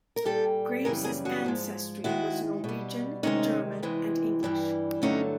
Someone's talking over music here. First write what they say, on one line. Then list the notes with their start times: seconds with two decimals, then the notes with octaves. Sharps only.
Graves' ancestry was Norwegian, German, and English.
0.16 A#4
0.25 A#2 G3 G4 A4
0.85 F#2 C#3 E3 G3 G#4 A#4
1.04 G#4 A#4
1.25 F#4 G#4
1.44 G#2 F3 G#3
2.04 G#2 D#3 G#3 E4 F#4
2.64 B2 G3
3.23 D2 C3 D#3 G#3 C#4 D#4
3.83 E2 C3 E3 G#3
4.43 G2 E3 G3
5.02 G2 D3 F#3 A3 C#4 D#4